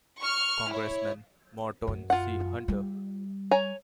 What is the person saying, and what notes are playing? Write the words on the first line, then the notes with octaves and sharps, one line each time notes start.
Congressman Morton C. Hunter.
C#6 F6
E4 C#5
F#2
F4 F#5
G3
C#5 G#5 A#5